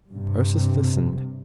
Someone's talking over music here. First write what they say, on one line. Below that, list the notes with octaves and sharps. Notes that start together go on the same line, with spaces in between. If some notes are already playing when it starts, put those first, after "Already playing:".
Ursus listened.
G2 C3